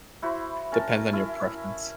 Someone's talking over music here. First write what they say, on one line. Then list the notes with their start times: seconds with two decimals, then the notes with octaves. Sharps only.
depends on your preference.
0.22 E4 F#4 C5 B5
0.72 C#4 A#4 A5
1.13 E4